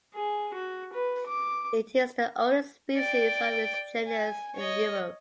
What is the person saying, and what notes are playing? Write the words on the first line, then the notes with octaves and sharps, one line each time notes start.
It is the only species of its genus in Europe.
G#4
F#4
B4
D6
D5 G5
G#5
C#5 D#5